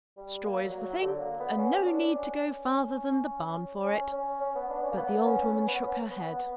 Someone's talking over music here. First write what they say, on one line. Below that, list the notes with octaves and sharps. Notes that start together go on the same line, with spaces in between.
"Straw is the thing, and no need to go farther than the barn for it;" but the old woman shook her head.
G3
A#3
F#3
F#3
D3
A#3
B3
C#4
D4
C#4
C#4
C#4
C#4
B3
D4
C#4
A#3
B3
C#4
C#4
B3
C#4
B3
B3